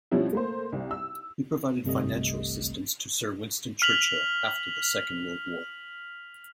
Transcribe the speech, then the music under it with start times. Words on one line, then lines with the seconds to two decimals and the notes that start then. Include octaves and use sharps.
He provided financial assistance to Sir Winston Churchill after the Second World War.
0.11 B2 F3 G3 C4 C#4 E4
0.33 A3 A#3 C5
0.72 C2
0.91 E6
1.84 G1 C2 C3 G3 A3 D#5
3.82 F6 B6 F7 F#7